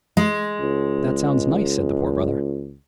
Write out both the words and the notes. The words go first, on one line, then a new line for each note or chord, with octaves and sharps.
"That sounds nice," said the Poor Brother.
G#3
C#2